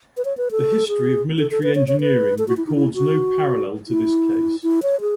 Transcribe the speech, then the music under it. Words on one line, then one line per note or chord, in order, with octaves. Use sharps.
The history of military engineering records no parallel to this case.
B4
C#5
B4
A4
G#4
A4
A4
B4
C#5
C#5
B4
A4
F#4
E4
D#4
E4
F#4
E4
E4
C#5
G#4